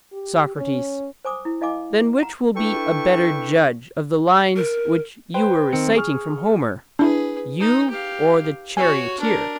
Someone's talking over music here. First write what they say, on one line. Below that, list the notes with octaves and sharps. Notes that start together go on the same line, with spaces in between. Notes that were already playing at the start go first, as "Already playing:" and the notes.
SOCRATES: Then which will be a better judge of the lines which you were reciting from Homer, you or the charioteer?
G4
C#4
C5 G#5 D6 D#6
E4
E4 D#5 F5 G#5 D6
F#5 A#5
D4 E4 A4 B4 G5 C#6
A#4
B4 C5 G5
D#3 C4 C#7
G#4 G#5 C#6 F6
D4 E4 G#4 B4
D#4
G4 F5
F#4 C#5 G#5
D4 A#4